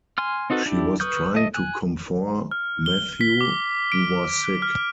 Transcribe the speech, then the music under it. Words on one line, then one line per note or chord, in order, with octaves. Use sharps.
She was trying to comfort Mathieu, who was sick.
G#5 C6 F6
C4 D#4 F#4 A4 B4
D4 E4 G4
B4 C#6 D#6 F6 G6
A3 D#5
G#5 F#6
F6
G7
B6
D6
D7
F6